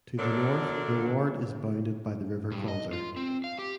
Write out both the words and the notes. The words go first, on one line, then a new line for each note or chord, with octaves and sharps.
To the north the ward is bounded by the River Calder.
F#2 D3 F#3 D4 A4 A#4
G2
D#5
F4
C4
F5
G4